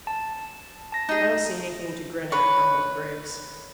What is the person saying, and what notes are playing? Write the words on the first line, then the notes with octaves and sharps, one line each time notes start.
"I don't see anything to grin at," grumbled Griggs.
A5
A5 A#6
D#4 G#4
B4 C#5